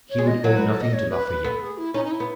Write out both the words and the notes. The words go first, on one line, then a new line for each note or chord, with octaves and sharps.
He would owe nothing to Lafayette.
C#5
G#3
D#5
F#3 C#5
B4
A4
D#5
C#5
B4
B4
B3 A4
G#4
E4
C#4 D#4
D#4
E4
B3